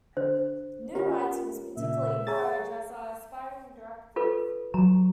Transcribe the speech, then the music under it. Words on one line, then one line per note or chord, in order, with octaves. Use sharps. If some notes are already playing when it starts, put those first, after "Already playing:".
New writing is particularly encouraged, as are aspiring directors.
D3 C5
C#4 F4 G4 A#4
A#2 C#3 E5
G#4 C#5 G#5 A#5 A6
F4 A4 B4
F#3 A#5